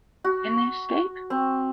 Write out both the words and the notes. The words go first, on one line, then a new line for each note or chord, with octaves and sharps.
Can they escape?
F#4
C4